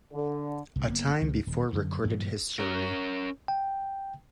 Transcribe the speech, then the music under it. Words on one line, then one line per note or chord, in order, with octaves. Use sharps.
A time before recorded history.
D3
C2 G2
F#1 A#3 B3
C#2 F3
D#1
F#2 D3
G2 A#2 E3 F#3
C#4 A#4
G5